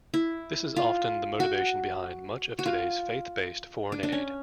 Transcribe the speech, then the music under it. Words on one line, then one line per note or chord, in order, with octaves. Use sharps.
This is often the motivation behind much of today's faith-based foreign aid.
E4
F4
F#4
F#4
F4
D4
D4
C#4